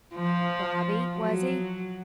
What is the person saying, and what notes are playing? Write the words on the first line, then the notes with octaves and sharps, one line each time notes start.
"Bobby, was he?"
F3
F#3